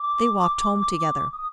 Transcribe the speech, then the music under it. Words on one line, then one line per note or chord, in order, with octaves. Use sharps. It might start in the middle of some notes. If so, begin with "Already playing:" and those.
They walked home together.
Already playing: D6
D#6